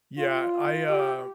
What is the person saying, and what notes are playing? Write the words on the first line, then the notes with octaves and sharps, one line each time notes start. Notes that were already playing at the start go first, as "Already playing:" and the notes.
Yeah. I, uh,
F4
G4